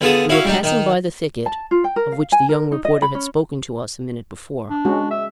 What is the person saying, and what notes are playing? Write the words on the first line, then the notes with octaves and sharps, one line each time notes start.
We were passing by the thicket, of which the young reporter had spoken to us a minute before.
D3 B3 F4 G#4 A5 D#6
C#4 E4 F#4 F5
G3 D4 D#4
D#3 D#4
A5
F4
G5
A#4
F5
G#5
A#4
D#4
D#5
B5
C#4
D4
G#3 C#4 F#4
E5